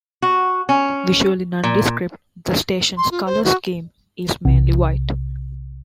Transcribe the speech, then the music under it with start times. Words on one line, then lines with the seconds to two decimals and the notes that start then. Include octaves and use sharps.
Visually nondescript, the station's colour scheme is mainly white.
0.22 F#4
0.69 C#4
1.64 A#2
2.97 C6
3.11 F4
3.26 C5
3.45 F#4
4.45 B1 C3